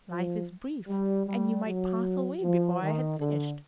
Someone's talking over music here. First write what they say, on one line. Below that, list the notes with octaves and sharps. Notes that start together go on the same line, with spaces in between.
Life is brief, and you might pass away before I had finished.
F3
G3
G3
F#3
F3
D#3
D3